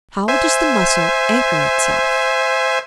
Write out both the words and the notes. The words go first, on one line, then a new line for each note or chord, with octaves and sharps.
How does the Mussel anchor itself?
C5 E5 G#5